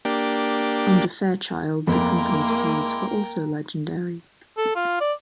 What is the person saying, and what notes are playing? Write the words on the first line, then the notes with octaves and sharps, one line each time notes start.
Under Fairchild, the company's feuds were also legendary.
A#3 D4 G4
F2 G#3 A#3 B3 E4 A#4 G5 D6
A4
F4
D5